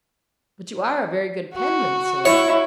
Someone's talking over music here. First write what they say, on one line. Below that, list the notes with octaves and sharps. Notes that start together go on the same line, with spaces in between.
'But you are a very good penman, sir.
F#4
E4 C#5